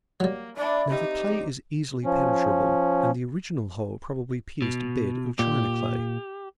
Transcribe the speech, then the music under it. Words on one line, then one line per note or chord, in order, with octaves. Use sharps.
Now, the clay is easily penetrable, and the original hole probably pierced a bed of china clay.
F#3 G3 A#3
D4 E4 D5
C4 D#4 G4 D5
F3 C#4
B2
A#2 G4